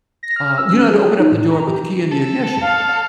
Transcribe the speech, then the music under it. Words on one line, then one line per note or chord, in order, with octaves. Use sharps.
uh, you know how to open up the door and put the key in the ignition,
A#6
F6
E6
C#4
G#4
D#4
A2
A#5
G4
A4
F5